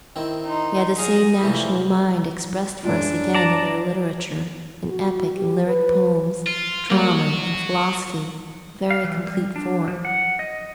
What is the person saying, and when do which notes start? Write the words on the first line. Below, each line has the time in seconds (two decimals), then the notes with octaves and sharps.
We have the same national mind expressed for us again in their literature, in epic and lyric poems, drama, and philosophy; a very complete form.
0.16 D#3 C4 E4
0.45 D#4 C6
0.98 G#4 F5 D#6 A#6
1.43 C3 E3 F3 G3 A3
2.84 F#2 G#3 D4 F4
3.35 D5 A5 A#5
4.90 F#4
5.36 G4
5.67 B4
6.47 F4
6.90 F#3 G3 A#3 F#4
8.90 F5
9.04 E3
9.27 G3
9.56 D4
9.88 F3
10.05 F#5
10.39 D#5